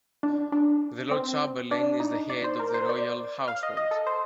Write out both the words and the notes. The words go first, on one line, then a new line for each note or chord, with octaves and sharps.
The Lord Chamberlain is the Head of the Royal Household.
D4
D4
C4
D4
D#4
D5
C5
A#4
C5
D5
F5
D#5
D#5
A4
C5